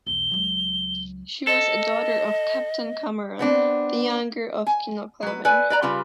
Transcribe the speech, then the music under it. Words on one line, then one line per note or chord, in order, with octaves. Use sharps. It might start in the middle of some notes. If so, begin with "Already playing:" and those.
She was a daughter of Captain Cameron the younger of Kinlochleven.
B1 E2 G7
C#2 F#3
A4 D#5
B3 C4 D4
G#5
F#3 B4
A4 B4 D5 G#5
B4 D5 A#5
C#3 G3 F4 B4